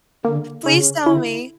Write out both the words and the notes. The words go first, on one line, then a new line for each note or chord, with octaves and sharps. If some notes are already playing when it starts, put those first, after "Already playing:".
Please tell me.
D3 A#3
C#3 C#4
D3 E4